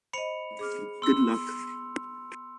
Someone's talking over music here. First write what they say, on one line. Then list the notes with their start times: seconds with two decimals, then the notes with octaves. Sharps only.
Good luck !
0.13 C5 D#5 B5 C#7 F7
0.59 G#4 D6 F6
1.02 B3 C6 E6